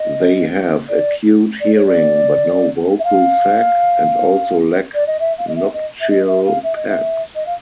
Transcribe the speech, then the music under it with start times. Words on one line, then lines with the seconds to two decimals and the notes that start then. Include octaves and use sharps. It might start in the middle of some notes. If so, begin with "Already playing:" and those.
They have acute hearing, but no vocal sac, and also lack nuptial pads.
Already playing: D#5
0.88 D5
1.60 D5
1.74 C#5
1.87 D5
2.99 E5
3.04 F5
4.94 D5
5.07 D#5
5.20 E5
5.38 F5
5.48 D#5
5.56 E5
5.73 D#5
6.01 E5
6.10 D#5
6.27 E5
6.46 F5
6.63 E5
6.76 D#5
6.88 E5
7.35 D#5
7.46 F5